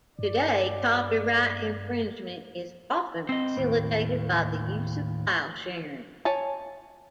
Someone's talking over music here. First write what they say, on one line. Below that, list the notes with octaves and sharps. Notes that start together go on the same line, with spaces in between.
Today copyright infringement is often facilitated by the use of file sharing.
G2 D5
C4 D#5
D#2 A2
C#5 G#5 A5